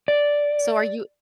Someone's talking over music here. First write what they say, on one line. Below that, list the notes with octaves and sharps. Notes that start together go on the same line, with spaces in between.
so are you
D5